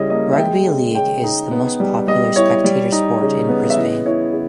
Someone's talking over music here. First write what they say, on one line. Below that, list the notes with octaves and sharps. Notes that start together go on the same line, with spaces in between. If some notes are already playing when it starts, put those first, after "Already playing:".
Rugby league is the most popular spectator sport in Brisbane.
Already playing: C#3 G3 E4 C#5 D#5
A#3 D#5
E5
G#3 G5
C#3
C#3 G5
D#4
B3
G3
G3 D#5
E4 C#5
G3
D#4
C#3
B3
E5
E3 D#5
E4 C#5
C#3